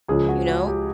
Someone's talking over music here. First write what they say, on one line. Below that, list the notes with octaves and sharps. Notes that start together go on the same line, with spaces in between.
you know?
C#2 C#3 F3 G#4
F#4
F#4
G4